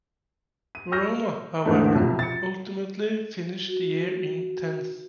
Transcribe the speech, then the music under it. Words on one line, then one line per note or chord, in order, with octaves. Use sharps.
Verona, however, ultimately finished the year in tenth.
D#7
C#6 E6 F6 G6 A#6
D#2 G#2 D3 E3 A3
B1 F2 C3
A6 C#7
F#4